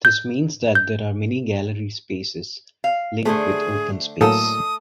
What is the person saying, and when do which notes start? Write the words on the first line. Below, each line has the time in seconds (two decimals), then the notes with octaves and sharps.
This means that there are many gallery spaces, linked with open space.
0.05 G6
0.75 G6
2.84 F5
3.25 D3 A3 G#4 C5
4.21 A2 F#3 A#3 A4 D#6